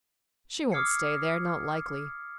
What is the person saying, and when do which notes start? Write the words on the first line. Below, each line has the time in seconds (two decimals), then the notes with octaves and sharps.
She won't stay there, not likely.
0.72 D6 D#6 F6 G#6 C7 C#7